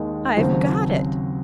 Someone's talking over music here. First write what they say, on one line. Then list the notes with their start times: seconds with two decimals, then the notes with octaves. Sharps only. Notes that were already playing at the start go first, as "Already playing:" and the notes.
"I've got it!"
Already playing: D#2 D#3 G#3
0.37 D#2 C#3 F#3 C4